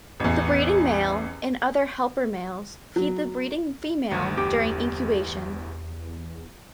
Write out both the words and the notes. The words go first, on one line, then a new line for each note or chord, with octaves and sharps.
The breeding male and other helper males feed the breeding female during incubation.
A1 E2
F#3
G1 D2 D#3 C#7
E2 G4